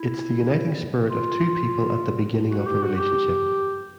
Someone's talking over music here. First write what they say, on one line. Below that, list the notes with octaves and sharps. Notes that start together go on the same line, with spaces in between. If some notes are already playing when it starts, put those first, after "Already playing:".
It's the uniting spirit of two people at the beginning of a relationship.
Already playing: E4
F4
F#4
G4
F#4
G4